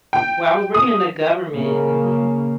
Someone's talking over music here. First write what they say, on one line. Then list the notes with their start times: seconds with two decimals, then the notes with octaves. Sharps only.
Well, I was working in the government Mhm.
0.13 G5
0.74 D#6
1.56 C#3 A#3